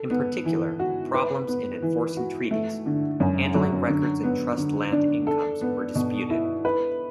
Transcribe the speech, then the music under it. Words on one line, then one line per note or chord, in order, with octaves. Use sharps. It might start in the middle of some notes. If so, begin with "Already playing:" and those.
In particular, problems in enforcing treaties, handling records and trust land incomes were disputed.
Already playing: A4
B3
E3
F#4
B4
B3
E3
F#4
A3
D3
F#2
F#3
D3
B3
D3
D4
A4
B3
B2
E4
B4